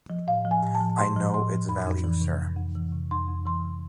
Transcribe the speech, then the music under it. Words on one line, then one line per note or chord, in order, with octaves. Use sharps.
I know its value, sir.
F3
A2 F5
F3
G#5
A2
A5
F3
A2 C6
F3
A2 C6
F3
F2 B5
F2
E3
C3
F2
F2
E3
C3
F2 C6
F2
E3 C6
C3